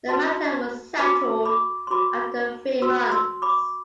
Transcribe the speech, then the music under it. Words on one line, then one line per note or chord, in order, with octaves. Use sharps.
The matter was settled after three months.
F#4 B4 A5 C6
F#4 B4 B5 D6
B5 D6
C6
F#4 B4 B5 D6
F#4 B4 C6 E6
C6 E6
B5 D6